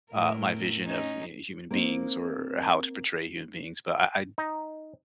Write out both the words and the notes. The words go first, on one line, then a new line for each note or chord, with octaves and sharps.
uh, my vision of h human beings or how to portray human beings. But I I
A2 A#4
C#4 D#4
A#3 C4 D#4
D#4